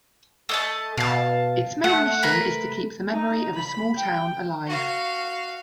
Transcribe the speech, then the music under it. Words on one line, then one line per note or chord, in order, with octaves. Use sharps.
Its main mission is to keep the memory of a small town alive.
A3 D#5 A5
B2 F5 A5
A3 F#5
A#4 B4 B5
D#4
B5
G5
F#4 F5